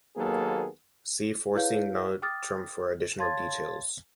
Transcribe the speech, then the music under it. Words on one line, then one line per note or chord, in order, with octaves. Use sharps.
See Forcing notrump for additional details.
D#2 F#3 A#3 B3 G#4 A4
E4 G#4 B4 C#5 F5 G6
G5 D6 D#6 F6 A6
C#5 F5 A5 C6 G#6 A6